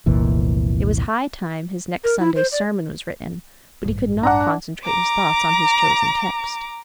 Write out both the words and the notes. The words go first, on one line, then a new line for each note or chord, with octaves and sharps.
It was high time his next Sunday's sermon was written, but he could not concentrate his thoughts on his chosen text.
F1 C2 A#2 E3
A#4
E4
C5
D5
A1 G2
D4 F#5 A#5
A#5 D6